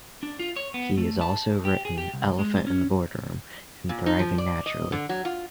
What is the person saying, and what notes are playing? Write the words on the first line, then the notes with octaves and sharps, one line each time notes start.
He has also written "Elephant in the Boardroom" and "Thriving Naturally".
D4
F4
C#5
B3
A3
A5
G4
G#4
G4
C2
G#3
C#4
A#2
D#4
F3
D5
D#5
D3
F#3
F4